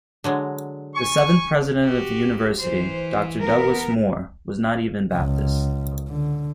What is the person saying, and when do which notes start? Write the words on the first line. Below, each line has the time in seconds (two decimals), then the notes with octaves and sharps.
The seventh President of the University, Doctor Douglas Moore, was not even Baptist.
0.24 D3 F#3 G#3
0.94 G#5 C#6
1.83 F#4 G4
2.60 E3 C5
3.41 B3 A#4
5.15 C#2
6.09 D3